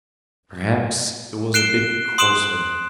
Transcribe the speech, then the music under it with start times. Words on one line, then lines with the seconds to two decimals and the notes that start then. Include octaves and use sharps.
Perhaps it was a bit coarser.
1.54 F#6 C7 D7 E7 G7
2.18 C6 D#6 F#6 D7 E7 F#7